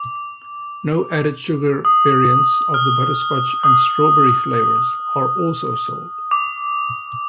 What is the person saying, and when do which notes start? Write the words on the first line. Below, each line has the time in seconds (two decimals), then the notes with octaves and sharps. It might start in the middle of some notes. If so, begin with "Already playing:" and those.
No-added-sugar variants of the butterscotch and strawberry flavours are also sold.
Already playing: D6
1.85 D#6
2.74 F6
3.63 D#6
6.31 D6